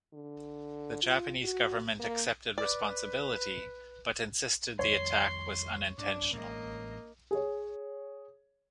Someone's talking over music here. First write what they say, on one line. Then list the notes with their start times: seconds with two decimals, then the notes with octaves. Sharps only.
The Japanese government accepted responsibility, but insisted the attack was unintentional.
0.13 D3
1.03 F4
1.44 F#4
1.99 A#3
2.58 B4 D5
4.79 F2 D#3 G3 C#5 C6
5.98 G2 D4
6.33 A1 A2 G#3 A#3 D#5
7.31 G#4 C#5